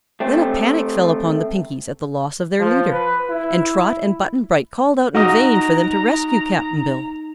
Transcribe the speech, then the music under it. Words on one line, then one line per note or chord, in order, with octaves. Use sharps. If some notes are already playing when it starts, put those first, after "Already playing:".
Then a panic fell upon the Pinkies at the loss of their leader, and Trot and Button-Bright called out in vain for them to rescue Cap'n Bill.
A3 C4
F3
B4
E4
D#4 F#4 D#5 A#5